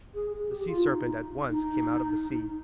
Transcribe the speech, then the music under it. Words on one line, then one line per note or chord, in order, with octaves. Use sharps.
The sea serpent at once came out of the sea.
G#4
G#4
G4
F4
D#4
D#4